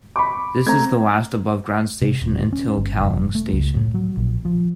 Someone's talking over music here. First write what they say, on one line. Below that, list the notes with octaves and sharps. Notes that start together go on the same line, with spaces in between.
This is the last above-ground station until Kallang station.
B5 C#6 D6
A3 C4 A#5 G#6
C3
D#1
C#4
G1
F1
A3
C#2
A2
F#3
A#1
F3